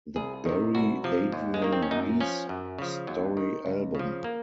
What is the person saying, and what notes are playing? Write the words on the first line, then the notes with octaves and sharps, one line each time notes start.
The Barry Adrian Reese Story album.
C2 G#4
C3 D#3
C2 F#4
C3 F3
D#2
G#3
D#3 A#3
C4
C#4
F#2 D#4
F3 C#4
F#2
C#3 F3
D#2 F#3
D#3
C#2
C#3 F3
A#3